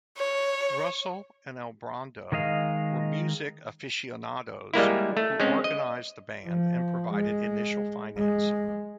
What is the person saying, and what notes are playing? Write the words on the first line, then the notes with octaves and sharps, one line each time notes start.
Russell and Albronda were music aficionados who organized the band and provided initial financing.
C#5
D#3 G#3 D#5 F5
G3 G#3 A#3 E4
A3
G#3 C4 C#4
D#5
F3
G#3
G#3